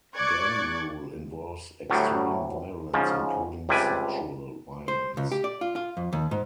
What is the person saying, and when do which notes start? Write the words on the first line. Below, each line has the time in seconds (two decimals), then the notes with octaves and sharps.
Gang rule involves extreme violence, including sexual violence.
0.15 D5 C#6 F#6 G#6
1.90 D2 A2 F#3 G3
2.94 G#2 C#3 F3
3.69 C#2 C3 G3 B4 D5 G#5
4.88 C5
5.17 C#2
5.32 G4
5.44 D5
5.61 F4
5.76 F4
5.97 F2
6.13 D#2
6.31 G#2